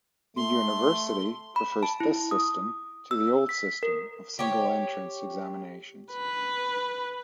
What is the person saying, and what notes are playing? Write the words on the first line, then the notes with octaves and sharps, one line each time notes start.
The university prefers this system to the old system of single entrance examinations.
A3 C6
B5
A5
E4
D#6
E6
B6
A#4
G4 C#5
B4